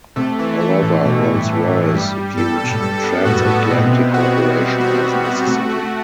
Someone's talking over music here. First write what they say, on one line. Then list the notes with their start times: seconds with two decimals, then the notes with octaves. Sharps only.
However, Rolls-Royce viewed transatlantic cooperation as necessary.
0.16 C3 A3
0.39 E3
0.60 A3
0.83 A2
1.05 B2 A3
1.27 A2
1.34 G2
1.49 A2
1.64 G2
1.72 A2
1.94 G2 G3
2.15 G3
2.37 G2 A4
2.60 B2 A4
2.73 A2
2.82 G2 A4
3.04 B3
3.25 A2 F#4
3.36 G2
3.45 A2 B3
3.70 B2 C4
3.77 A2
3.84 B2
3.92 C3
4.14 F#4
4.36 F#4
4.58 G3
4.80 F#4
5.03 C3
5.25 F#4
5.47 C3 A3
5.69 A3